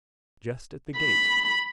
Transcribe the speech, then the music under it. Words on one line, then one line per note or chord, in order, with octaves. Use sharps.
Just at the gate.
B5